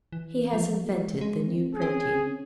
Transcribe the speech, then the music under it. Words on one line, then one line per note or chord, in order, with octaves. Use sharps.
He has invented the new printing.
E3
F3
A#3
G#3
G#3
C4
C#4 G#4
C4
C#4
C4
C#4